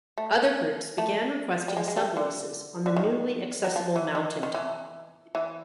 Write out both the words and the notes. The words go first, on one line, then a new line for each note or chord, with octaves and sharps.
Other groups began requesting subleases on the newly accessible mountaintop.
A3
A3
G3
G#3
G#3
G3
D3
D3
D#3
F#3
F3
E3
D#3
D#3
E3
E3